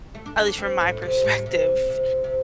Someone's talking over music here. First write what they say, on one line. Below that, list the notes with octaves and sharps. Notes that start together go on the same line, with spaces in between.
at least from my perspective.
A3
D4
D4
D4
C4
A2
C3
A2
A2
C3
C3
C3